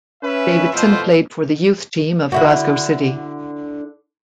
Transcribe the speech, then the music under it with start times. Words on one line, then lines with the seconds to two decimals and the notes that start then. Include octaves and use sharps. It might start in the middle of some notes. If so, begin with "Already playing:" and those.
Davidson played for the youth team of Glasgow City.
0.23 C#4 B4 E5
0.72 F2 B2 A3 E4 F4 C5
2.32 D3 E4 F#4